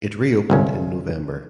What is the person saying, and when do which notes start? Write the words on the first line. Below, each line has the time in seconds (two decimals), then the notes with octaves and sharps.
It reopened in November.
0.50 G1 C2 C#4